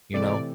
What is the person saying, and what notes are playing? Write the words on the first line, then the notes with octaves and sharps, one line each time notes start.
You know?
C3 E3 A3 C4 D5